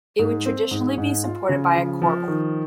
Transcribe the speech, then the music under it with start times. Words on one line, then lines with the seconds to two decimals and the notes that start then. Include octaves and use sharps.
It would traditionally be supported by a corbel.
0.19 G#2
0.46 C4
0.71 G#2
0.98 G#2
1.24 F4
1.49 C#3
1.76 F3
2.02 F3
2.28 D#3